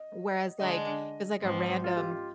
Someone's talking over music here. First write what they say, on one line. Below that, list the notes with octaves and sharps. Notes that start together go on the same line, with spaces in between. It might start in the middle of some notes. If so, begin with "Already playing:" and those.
Whereas like, it's like a random
Already playing: D#5
D3 G#3 D4 D#5
G#2 F3 C4
F4
G4
F4